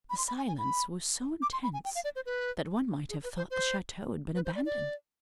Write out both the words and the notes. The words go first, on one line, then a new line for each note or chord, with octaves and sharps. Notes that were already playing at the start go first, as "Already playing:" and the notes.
The silence was so intense that one might have thought the chateau had been abandoned.
B5
C6
B5
G#5
G#5
B5
D6
C6
B5
G#5
G5
F5
D5
C5
B4
G#4
B4
C5
C5
B4
C5
D5
D5